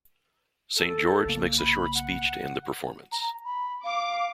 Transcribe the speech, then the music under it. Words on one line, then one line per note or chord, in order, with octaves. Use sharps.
Saint George makes a short speech to end the performance.
A4
B1 C#3 A#3
B5
F#5
A#5
B5
F5 D6